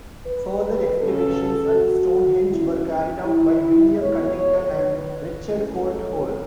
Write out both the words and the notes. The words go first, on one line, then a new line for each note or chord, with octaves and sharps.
Further excavations at Stonehenge were carried out by William Cunnington and Richard Colt Hoare.
B4
C#3 F#3 C#4 A4
F#4
E2 E3 C#4 E4
E4
E4
A2 F#3 B3 C#5
B4
A2 A3 C#4
C#5